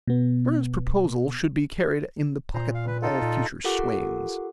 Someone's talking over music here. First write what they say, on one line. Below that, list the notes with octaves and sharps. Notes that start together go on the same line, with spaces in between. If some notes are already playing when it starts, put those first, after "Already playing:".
Bernard's proposal should be carried in the pocket of all future swains.
B2 B3
A#2 C5 A#5
F5
B4
D#4 F4 A4
A#2
F4 G4 A4 A#4 F#5 D6